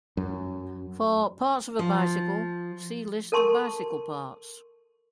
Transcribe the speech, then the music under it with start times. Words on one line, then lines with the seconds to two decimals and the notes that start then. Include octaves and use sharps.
For "parts of a bicycle", see List of bicycle parts.
0.17 F#2
1.79 F3
3.32 A4 A#4 A5 C6 C#6